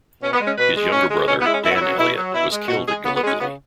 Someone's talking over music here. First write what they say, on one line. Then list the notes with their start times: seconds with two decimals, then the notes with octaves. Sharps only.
His younger brother Dan Elliot was killed at Gallipoli.
0.22 B2 C#4
0.33 B3
0.40 G#3
0.46 C#4
0.57 B2 B4
0.75 G#3
0.92 B2 C#4
1.11 G#3
1.28 B2 C#4
1.40 B3
1.46 G#3 E4
1.52 C#4
1.63 B2 E4
1.70 F#4
1.75 E4
1.81 F#3
1.86 C#4
1.98 B2 E4
2.15 F#3
2.34 B2 E4
2.51 G#3
2.68 B2 F#4
2.87 G#3 G#4
3.04 C#3 B3
3.15 B3
3.22 G#3 C#4
3.39 C#3 B3